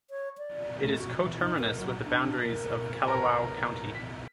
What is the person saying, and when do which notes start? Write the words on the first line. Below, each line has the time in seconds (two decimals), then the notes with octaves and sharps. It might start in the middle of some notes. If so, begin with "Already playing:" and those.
It is coterminous with the boundaries of Kalawao County.
0.10 C#5
0.38 D5
0.80 A3
0.98 F#4
1.19 E3
1.39 D#4
1.59 A#4
1.79 F#3
2.05 D4
2.41 A#4
3.07 A#4 B4 C#5 A5 A#5
3.95 B6